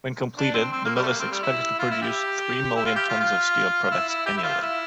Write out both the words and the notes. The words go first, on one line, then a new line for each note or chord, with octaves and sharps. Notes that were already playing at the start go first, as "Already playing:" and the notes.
When completed, the mill is expected to produce three-million tons of steel products annually.
D4
C4
C4
A#3
G3
A3
A#3
C4
G3
E4
F4
E4
G4
E4
F4
G4
F4
F4
F4
E4
E4
G4
E4
F4
E4